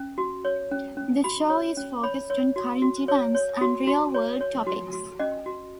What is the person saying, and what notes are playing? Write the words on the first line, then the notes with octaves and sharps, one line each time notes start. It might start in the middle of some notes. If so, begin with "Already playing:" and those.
The show is focused on current events and real world topics.
Already playing: C#4
F#4
C#5
C#4
C#4
F#4 B5
C#5
C#4
C#5 B5
C#5
F#4
F#4
C#5
C#5
F#4
F#4
C#5
C#5
F#4
F#4
C#4 D#5
F#4